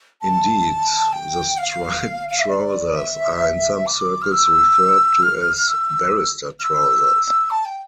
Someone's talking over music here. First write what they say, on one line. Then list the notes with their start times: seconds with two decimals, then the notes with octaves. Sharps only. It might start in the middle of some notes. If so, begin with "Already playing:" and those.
Indeed, the striped trousers are in some circles referred to as "barrister trousers".
0.21 A5
1.13 G5
1.58 F5
2.29 F5
2.39 E5
2.49 D5
2.95 E5
3.86 D6
4.22 F6
4.32 E6
5.22 F6
5.57 F6
5.68 E6
6.59 F6
6.63 E6
7.50 A5
7.65 G5